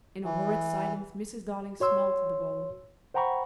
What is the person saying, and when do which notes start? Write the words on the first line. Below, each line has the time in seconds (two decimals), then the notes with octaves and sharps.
In a horrid silence Mrs. Darling smelt the bowl.
0.24 E3
1.80 F#4 C#5 C6 E6
3.14 C5 F#5 G5 A#5 B5 C#6